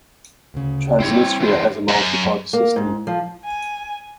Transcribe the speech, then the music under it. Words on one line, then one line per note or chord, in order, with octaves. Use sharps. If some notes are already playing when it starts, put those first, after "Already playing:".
Transnistria has a multi-party system.
D2 C#3
G3 C4 E4 C#5
E3 F#3 C5
F#2
A#3
G#2
F3
G#5